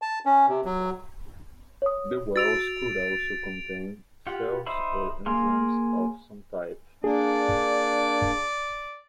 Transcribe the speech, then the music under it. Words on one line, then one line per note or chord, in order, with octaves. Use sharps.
The wells could also contain cells or enzymes of some type.
A5
C#4
C3
F#3
C#5 D#6
F#4 E6 A6 D7 F7
F4 G4 F#5
D#4 C5 E5 B5
A#3 G#4 F5 C6
A#3 D4 G#4 D5